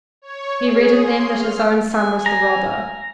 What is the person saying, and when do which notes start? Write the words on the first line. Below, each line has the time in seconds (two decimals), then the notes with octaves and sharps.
He read in them that his own son was the robber.
0.22 C#5
0.63 G#4
0.98 C6
1.33 F6
1.93 G#5
2.26 A#5